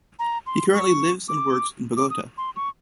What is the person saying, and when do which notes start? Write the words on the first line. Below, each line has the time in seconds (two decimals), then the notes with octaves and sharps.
He currently lives and works in Bogota.
0.19 A#5
0.46 C6
0.74 C#6
1.28 D6
1.97 D6
2.10 D#6
2.38 C6
2.56 C#6